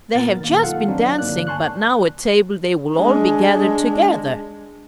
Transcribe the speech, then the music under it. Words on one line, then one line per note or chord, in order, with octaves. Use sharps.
They have just been dancing, but now at table they will all be gathered together....
A#2 B3 A#4 A6
D#3 A#3
B1 F4 A4 F5 F#5
F#3 C4 D4 D#4
G1 A#3 D5 F#6
G#5 A5 C6 C#6 F#6
G#3 D4